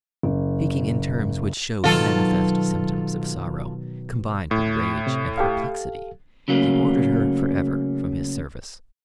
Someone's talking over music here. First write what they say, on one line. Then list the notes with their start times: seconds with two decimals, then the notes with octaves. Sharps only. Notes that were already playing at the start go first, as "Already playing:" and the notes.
Speaking in terms which shewed manifest symptoms of sorrow, combined with rage and perplexity, he ordered her for ever from his service.
0.23 F#1
1.84 B2 D#3 F#3 F4 A4
4.51 A2
5.07 C3
5.38 G4 A4 F5
6.48 C#3 F#3 A3 A#3